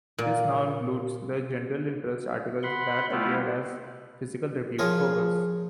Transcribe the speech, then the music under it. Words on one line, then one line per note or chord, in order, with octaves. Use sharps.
This now includes the general-interest articles that appeared as "Physical Review Focus".
A#2
F#5 B5 C6
G3 A3 B3 E4 F4
F3 F4 G#4 A#4 C#5